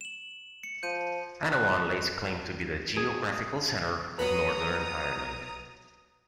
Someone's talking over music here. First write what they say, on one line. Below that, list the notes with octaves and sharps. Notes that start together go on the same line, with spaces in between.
Annaghone lays claim to be the geographical centre of Northern Ireland.
E7 F#7
C#7
F3 G6 D#7
F#6
G#4
F#3 B3 B4 A#5 D#6